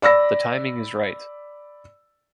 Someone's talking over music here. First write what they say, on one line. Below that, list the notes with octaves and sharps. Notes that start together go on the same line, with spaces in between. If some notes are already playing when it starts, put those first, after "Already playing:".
The timing is right.
D5 B5 E6 A#6